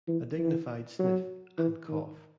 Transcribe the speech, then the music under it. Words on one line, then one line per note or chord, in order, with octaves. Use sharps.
A dignified sniff, and cough.
E3
E3
F#3
E3
D#3